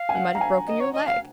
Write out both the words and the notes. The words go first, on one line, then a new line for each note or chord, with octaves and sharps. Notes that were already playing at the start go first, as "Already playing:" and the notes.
You might have broken your leg.
Already playing: F5
G#5
F#5
A#5
G#5
D#5
C#5
D#5
F5